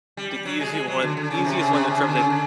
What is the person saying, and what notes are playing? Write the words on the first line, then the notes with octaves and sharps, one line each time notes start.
the easy one easiest one in terms of
G3
G3
F#3
G#3
G#3
F#3
D3
D3
C#3
C3
C#3
C3
C#3
D3
C#3
D3